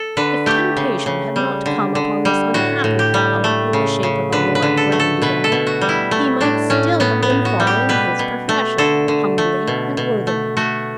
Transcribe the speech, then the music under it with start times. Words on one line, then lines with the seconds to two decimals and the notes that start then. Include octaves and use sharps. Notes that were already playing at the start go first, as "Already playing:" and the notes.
If temptation had not come upon this unhappy fellow in the shape of a Lord Brandyball, he might still have been following his profession, humbly and worthily.
Already playing: A4
0.17 D3 B4
0.46 A3 G4
0.77 C#3
1.06 C#3
1.36 G3
1.66 D3
1.95 D3
2.25 G3
2.54 A2 F#4
2.84 A2
2.99 G4
3.14 G3
3.44 A3
3.73 C#3
4.03 C#3
4.32 D3 B4
4.55 B4
4.62 D3
4.77 A4
4.92 A3
5.00 A4
5.22 B2 B4
5.44 A4
5.52 B2
5.67 F#4
5.81 G3
5.89 E4
6.11 A3
6.41 A2 D4
6.70 A2 C#4
7.00 A2 B3
7.22 B3
7.30 A2
7.45 F#4
7.60 G3
7.67 G4
7.89 B2 B4
8.19 B2
8.49 A3
8.78 D3 A4
9.08 D3
9.38 A3
9.67 B2
9.97 B2
10.27 A3
10.57 A3 F#4